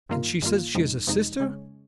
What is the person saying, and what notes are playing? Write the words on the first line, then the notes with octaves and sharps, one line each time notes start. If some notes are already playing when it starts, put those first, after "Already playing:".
And she says she is a sister....
G2 D#3 A#3 F4
G2 D#3 A#3 F4
F2 C3 F3 G#3 D#4
F2 C3 F3 G#3 D#4
C#3 G#3 C#4